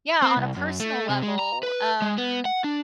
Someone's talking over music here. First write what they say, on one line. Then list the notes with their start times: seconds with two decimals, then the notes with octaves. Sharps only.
yeah, on a personal level, um
0.22 C4
0.36 C2
0.56 F#2
0.80 A3
1.09 C3
1.23 G#3
1.39 A#5
1.63 B4
2.02 G#3
2.18 B3
2.45 F#5
2.64 D4